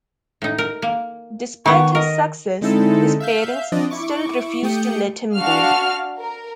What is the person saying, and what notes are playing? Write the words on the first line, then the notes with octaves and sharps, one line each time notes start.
Despite his success, his parents still refuse to let him go.
A2 D#4
A#4
A#3
D#3 B3 C#6
A#4 D#5
D3 G#3 C4 D#4 E4 A4
E5 F5 G6
F3 C4 D4 D5 D#5
E4 C#6 D6
A3 G4 G5 D#6 G6 C#7
D4 F#4 F5 F6
A#4